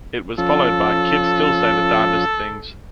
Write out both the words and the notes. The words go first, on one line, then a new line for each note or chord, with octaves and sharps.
It was followed by Kids Still Say the Darndest Things!
F3 C#4 F4 A4